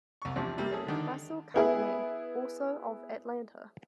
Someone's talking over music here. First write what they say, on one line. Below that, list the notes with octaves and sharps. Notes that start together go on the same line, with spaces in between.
Russell Company, also of Atlanta.
C2 C#6
E2 C3 F3 C4 D4
C3 G3 A#3 C4
C#4 G#4 A4
D3 D#3 D4
B3 E4 G#4